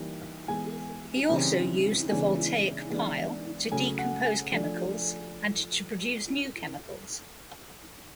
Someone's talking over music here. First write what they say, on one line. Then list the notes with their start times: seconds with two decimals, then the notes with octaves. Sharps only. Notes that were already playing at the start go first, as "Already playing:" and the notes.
He also used the voltaic pile to decompose chemicals and to produce new chemicals.
Already playing: E3 G3 A#3 D#4
0.48 E3 G#3 B3 G#5
1.29 C#3 E3 G3 C4 D#4
2.09 C#3 E3 G#3 B3 D4 G#5
2.90 E3 G#3 B3 D4
3.71 C#3 F#3 A3 G#5
3.99 F#5
4.25 G#5
4.52 F3 A3 D4